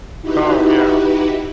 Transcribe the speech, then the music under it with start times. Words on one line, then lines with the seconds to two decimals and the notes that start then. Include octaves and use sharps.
Oh, yeah.
0.22 D#4 E4 F#4 G4 B4